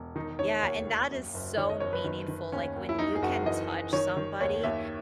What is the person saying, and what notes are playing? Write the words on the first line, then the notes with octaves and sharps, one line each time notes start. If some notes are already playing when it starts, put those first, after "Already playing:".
Yeah, and that is so meaningful, like, when you can touch somebody,
Already playing: E1
D#3 D#4
D#3 C#5
D#2 C#5
D#2
F#2
F#1
D#3 C#5
D#5
F#1 C#5
B4
D#3
D#3
D#2 C#4
D#2
E4
F#2 D#4
G#4
F#1 F#4
E3 D#5
F#1
D#3 C#5
D#3
D#2 C#5
D#2 E5